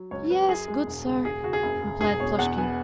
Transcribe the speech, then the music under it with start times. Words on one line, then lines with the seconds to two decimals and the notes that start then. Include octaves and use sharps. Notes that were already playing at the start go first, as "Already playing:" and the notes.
"Yes, good sir," replied Plushkin.
Already playing: F#3
0.11 C#2 C#5
0.29 F#3 B4
0.49 F#2 G#4
0.68 G#3
0.87 E1
1.06 C#3
1.25 E1 G#4
1.43 C#3 F#4
1.53 G#4
1.63 F#1
1.82 C#3
2.01 E1 G#4
2.20 B2 C#5
2.39 E2 F#5
2.58 B3 G#5